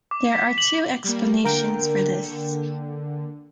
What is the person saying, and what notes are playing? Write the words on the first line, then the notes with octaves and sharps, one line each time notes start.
There are two explanations for this.
D6
B6
F#7
G3 A#3
D3 A#3 A#4 G5